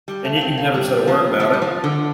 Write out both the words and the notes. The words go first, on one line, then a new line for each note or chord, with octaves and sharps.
And yet you never said a word about it!
G3
A3
A#3
C4
A#3
G3
F3
F3
G3
F3
D3